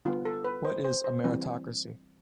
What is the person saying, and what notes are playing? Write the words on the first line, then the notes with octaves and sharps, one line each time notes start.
What is a meritocracy?
D3 G3 B3 F4
A4
B4
C5
C5
C5
E3 G3 C4